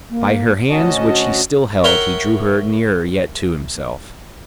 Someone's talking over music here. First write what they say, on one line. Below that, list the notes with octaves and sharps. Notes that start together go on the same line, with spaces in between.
By her hands which he still held he drew her nearer yet to himself.
A#3
D2 C#4 F#4 D#5 A5
A#4 C#5 E5 F#5 G5